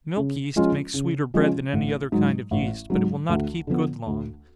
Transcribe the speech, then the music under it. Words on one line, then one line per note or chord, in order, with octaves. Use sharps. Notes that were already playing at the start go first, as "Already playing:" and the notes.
Milk yeast makes sweeter bread than any other kind of yeast, but it will not keep good long.
C#3
F3 G#3 C#4 F4
C#3
F3 G#3 C#4 F4
A1
G#2 F#3
A1
G#2 F#3
D2
D3 F3 B3
D2